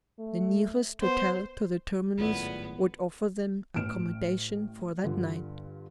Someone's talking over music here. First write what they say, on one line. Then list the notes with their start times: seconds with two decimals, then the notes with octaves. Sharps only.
The nearest hotel to the terminus would offer them accommodation for that night.
0.19 A3
1.02 B3 C5
2.18 G#1 F#2 A2 B3 F4 G#4 D5
3.76 A1 A2 F6 D7 E7
5.03 G2 D3 F4